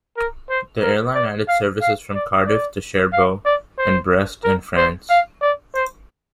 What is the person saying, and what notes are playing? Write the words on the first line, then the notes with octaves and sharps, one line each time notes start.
The airline added services from Cardiff to Cherbourg and Brest in France.
A#4
C5
A#4
D5
F5
F5
D5
D5
F5
D5
C5
A#4
C5
F5
D5
C5